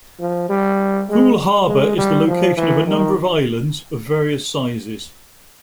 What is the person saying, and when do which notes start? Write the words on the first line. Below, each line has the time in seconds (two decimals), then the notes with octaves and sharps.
Poole Harbour is the location of a number of islands, of various sizes.
0.20 F3
0.49 G3
1.09 G#3
1.68 G#3
1.98 G3
2.27 F3
2.57 E3
2.86 D#3